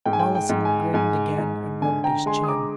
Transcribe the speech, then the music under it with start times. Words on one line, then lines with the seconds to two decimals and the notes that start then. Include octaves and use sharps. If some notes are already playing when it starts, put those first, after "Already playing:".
Mollison grinned again and rubbed his chin.
0.06 G#2 G5
0.13 G#5
0.19 G5
0.35 G5
0.49 G#2
0.65 G#5
0.94 G#2 G#5
1.38 G#2
1.82 D3 G#5
2.04 G5 A#5
2.26 G#3 G#5 C6
2.44 D#6
2.48 A#5 D6